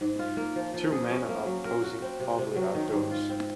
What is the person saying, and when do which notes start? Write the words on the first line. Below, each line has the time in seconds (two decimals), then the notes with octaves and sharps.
Two men are posing oddly outdoors.
0.01 G#2
0.19 F4
0.37 A#3
0.56 F3
0.74 F3
0.92 G#4
1.11 C#4
1.28 A#3
1.46 F#3
1.65 A#4
1.83 F#4
2.02 C4
2.20 C3
2.38 C3
2.56 F#3
2.75 D#3
2.92 G#2
3.11 F4
3.29 C4